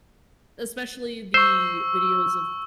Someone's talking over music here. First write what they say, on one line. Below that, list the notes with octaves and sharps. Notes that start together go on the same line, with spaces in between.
especially the videos of
C5 C#6 E6